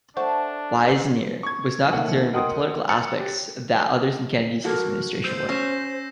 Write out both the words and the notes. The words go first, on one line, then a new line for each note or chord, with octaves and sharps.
Weisner was not concerned with the political aspects that others in Kennedy's administration were.
A3 D4 C5 F#5 A5 C#6
C#6 G#6
C2 A#2 D#3 A3 F#5
A#4 D#5 F#5 G5 C6 D#6
F#6 A6 C#7
G4
F#4 A4 A#4
C5 E6 G6 C7
C#4 A#6 C7 E7